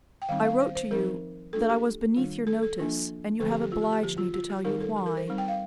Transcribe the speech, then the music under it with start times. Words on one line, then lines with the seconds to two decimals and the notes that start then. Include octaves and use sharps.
I wrote to you that I was beneath your notice, and you have obliged me to tell you why.
0.22 G5
0.29 D#3 G3 C4 D#4 F5
0.44 F5
0.60 C5
0.75 C5
0.91 F3 C4 D#4 A#4
1.53 A3 D4 F4 A4
1.69 G4
2.16 D#3 G3 D4 F4
2.47 A4
2.63 A4
2.78 F3 A#3 D4 F4
3.40 D3 F3 A3 C4 A4
3.51 G4
3.61 G4
3.72 F4
3.82 G4
3.93 G4
4.03 D3 F3 A#3 G4
4.18 F4
4.34 F4
4.50 G4
4.64 D#3 G3 C4 D#4 A#4
4.80 A4
4.96 G4
5.06 A#4
5.17 C5
5.28 G3 C4 D#4
5.38 G5
5.48 F5